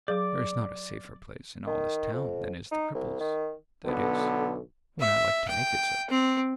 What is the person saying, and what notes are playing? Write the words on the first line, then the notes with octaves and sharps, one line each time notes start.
There is not a safer place in all this town than is the Cripples; that is, when I like to make it so.
F#3 G#4 D5 D6
D#3
F2
D#4
C2
D#3
B1 D3 B3 A4
E5
G5
C4